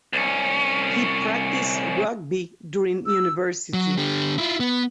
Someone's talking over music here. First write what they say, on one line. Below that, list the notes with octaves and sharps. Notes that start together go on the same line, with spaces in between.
He practiced rugby during university.
C2 C#4
E6
F#3
D3 G4
E4 F4
B3